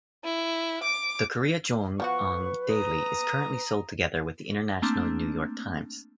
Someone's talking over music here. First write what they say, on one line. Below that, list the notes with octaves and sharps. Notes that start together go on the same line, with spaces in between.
The "Korea JoongAng Daily" is currently sold together with the "International New York Times".
E4
D6
F3 B3 F#4 B4 C#6
A#5 D#6
A3 A#3 C4 D4